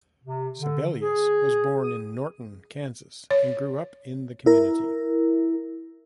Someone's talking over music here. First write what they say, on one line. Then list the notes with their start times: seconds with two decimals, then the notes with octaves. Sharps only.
Sebelius was born in Norton, Kansas, and grew up in the community.
0.23 C3
0.58 D3
1.01 G#4
1.84 D#6
3.31 C#5
4.46 E4 A#4